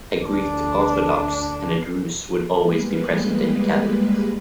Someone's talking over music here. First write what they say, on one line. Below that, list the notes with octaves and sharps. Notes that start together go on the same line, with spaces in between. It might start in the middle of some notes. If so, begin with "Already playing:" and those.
A Greek Orthodox and a Druze would always be present in the cabinet.
D2 D4
G3 G#3 A#3 B4